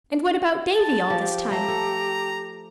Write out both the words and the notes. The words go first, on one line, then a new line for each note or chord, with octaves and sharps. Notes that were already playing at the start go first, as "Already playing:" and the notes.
And what about Davy all this time?
A5
F3 G4
A3 A#5
A4